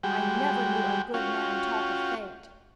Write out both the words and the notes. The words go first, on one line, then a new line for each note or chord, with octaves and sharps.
I never knew a good man talk of fate.
G3 G#3 F#4 G5
C#4 F4 F#4 G5